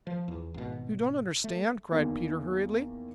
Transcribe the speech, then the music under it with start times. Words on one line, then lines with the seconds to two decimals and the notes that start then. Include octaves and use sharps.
"You don't understand," cried Peter hurriedly.
0.07 F3
0.28 E2
0.54 G#1 B2
1.44 A3
1.91 E2 D#3 A#3